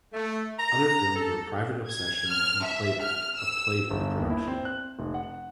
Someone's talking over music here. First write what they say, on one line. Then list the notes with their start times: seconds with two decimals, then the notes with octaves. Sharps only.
Other films were "Private Obsession" and "Playback", a "Playboy" production.
0.13 A3
0.58 A#5
1.15 A4
1.88 G#6
2.29 F6
2.64 E5
3.02 F6
3.36 E6
3.90 G1
4.17 D#2
4.30 E4
4.48 C4
4.65 F#6
4.99 F1
5.14 F#5